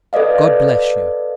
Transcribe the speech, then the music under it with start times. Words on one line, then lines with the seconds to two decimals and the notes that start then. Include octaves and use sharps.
God bless you!
0.13 A4 B4 D5 D#5 F5